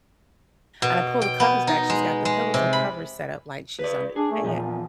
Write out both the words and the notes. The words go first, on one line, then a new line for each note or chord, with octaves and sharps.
And I pulled the covers back, she's got the pillows and covers set up like she's under the bed.
B2
G5
B3
D#4
G#3
G#3
C3
B5
B4 D5
D4 G#4
A3
E2 A#2 F3